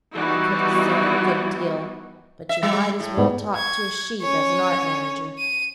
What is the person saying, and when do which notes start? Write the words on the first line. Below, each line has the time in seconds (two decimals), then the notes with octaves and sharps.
I could have said a good deal, but you might as well talk to a sheep as an art-manager.
0.16 E3 G3 B3 D#4 E4 F#4
2.49 E5
2.63 G3 G#3
3.00 A2
3.17 G#2 B3
3.56 C#6 G#6
4.22 C#4 C#5
5.39 D#7